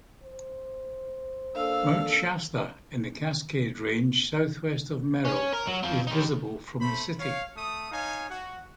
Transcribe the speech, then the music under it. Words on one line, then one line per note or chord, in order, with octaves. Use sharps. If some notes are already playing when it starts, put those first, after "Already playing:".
Mount Shasta in the Cascade Range southwest of Merrill, is visible from the city.
C5
A#3 D4 A4 F5 E6
C#4
A#4
F#3
C4 F4
D#4 G4
A3 C5 B5
C#5 F5
A3 D#6
D#4 C#5 F5 G#5
F#4